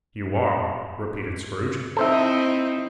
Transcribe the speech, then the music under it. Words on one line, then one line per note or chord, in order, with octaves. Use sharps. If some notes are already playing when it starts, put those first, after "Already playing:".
'You are!' repeated Scrooge.
C4 D#4 E4 A4 C5 E5